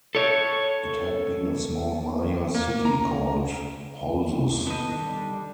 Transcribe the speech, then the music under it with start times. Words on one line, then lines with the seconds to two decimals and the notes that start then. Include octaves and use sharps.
It had been a small Maya city called Holzuz.
0.15 A4 C#5
2.54 A#3
2.85 A#5
4.67 D#3 B3 A4 D#5 G5
4.91 G3 D4